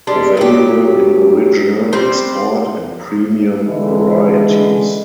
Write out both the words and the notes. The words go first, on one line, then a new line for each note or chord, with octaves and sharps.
Available in original, export, and premium varieties.
G3 G#3 D4
F#3 G4
G3 C4
D3 E3 G#3